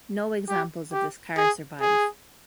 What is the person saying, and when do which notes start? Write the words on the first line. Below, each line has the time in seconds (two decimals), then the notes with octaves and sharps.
No examples of this car survive.
0.49 G4
0.93 G4
1.37 G#4
1.81 G#4